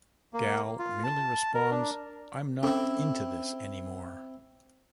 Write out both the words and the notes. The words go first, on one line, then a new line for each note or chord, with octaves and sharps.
Gal merely responds, I'm not into this any more.
A#3
F4
A5
A#4
D4
C4 C#4 E4 A4 D6